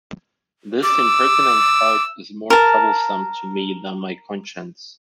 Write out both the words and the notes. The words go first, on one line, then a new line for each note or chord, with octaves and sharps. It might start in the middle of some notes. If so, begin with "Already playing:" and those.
This impertinent heart is more troublesome to me than my conscience.
D6 E6
A#4 A5